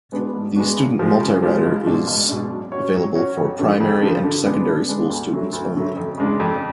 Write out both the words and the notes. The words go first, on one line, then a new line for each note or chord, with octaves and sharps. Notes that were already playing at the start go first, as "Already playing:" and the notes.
The Student MultiRider is available for primary and secondary school students only.
G#3 B3 D4 F#4
G#2
G#3 B3 D4 F#4
C#3
F3 G#3
C#3
F3 G#3
C#2
B2 G#3 D4
C#2
B2 G#3 D4
F#3
C#4 F#4 C#5
F#3
C#4 F#4 C#5
F2
D3 F3
F2
D3 F3
D3
G#3 B3 D4
D3
G#3 B3 D4
D2
D3 F#3 A3
D2
D3 F#3 A3
F2
C#3 G#3 D4
F2